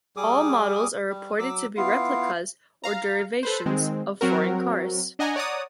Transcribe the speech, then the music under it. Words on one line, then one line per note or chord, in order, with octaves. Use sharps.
All models are reported to be replicas or derivations of foreign cars.
G3 G#4 D6 D#6
G3
F#3 D6 E6
B3 E4 F4 F5
F5 A#5
A4 B4 C5
D#3 G#3 C4
F#3 C4 F#4 A#4
D4 D#5 F#5 G#5 A#5
C#5 D5 F#5 A#5 D#6